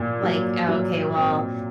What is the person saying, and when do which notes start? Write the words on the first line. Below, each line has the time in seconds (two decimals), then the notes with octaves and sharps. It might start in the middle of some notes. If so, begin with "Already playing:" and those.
like, oh, okay, well,
Already playing: A#2
0.23 F#3
0.69 F#3
1.16 C4